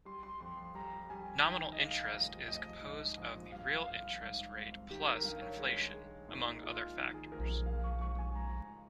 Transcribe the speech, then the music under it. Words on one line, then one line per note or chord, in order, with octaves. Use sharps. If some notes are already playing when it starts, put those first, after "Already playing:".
Nominal interest is composed of the real interest rate plus inflation, among other factors.
G3 C6
C6
F2 C6
C6
G3 A#5
G3 G#5
D#3 G5
D#5
G#3 F5
F1 D#5
F1 D#5
G#2
A#1
G1 F5
G1 F5
G#2
G#1
D#3 G4
A#4
G2 F5
C#5
G#3
G#3
A#2 D#4
G#3 F4
D#3
G#4
F1 A#4
A#1 F5
C#6
G#2 C#6
G#5
C#2 A#5